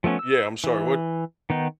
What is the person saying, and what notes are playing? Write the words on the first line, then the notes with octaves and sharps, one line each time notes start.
Yeah, I'm sorry, what?
F3 A3 B3 C#4
E6
E3
D#3 B3 D#4